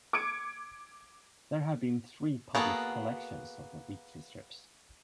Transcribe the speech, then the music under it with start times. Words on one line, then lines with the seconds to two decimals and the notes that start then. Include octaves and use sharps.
There have been three published collections of the weekly strips.
0.13 D6 G#6 C#7 D7
2.55 A#3 B3 F#4 G#4 A4